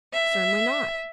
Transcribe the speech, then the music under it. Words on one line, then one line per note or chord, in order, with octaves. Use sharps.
"Certainly not."
E5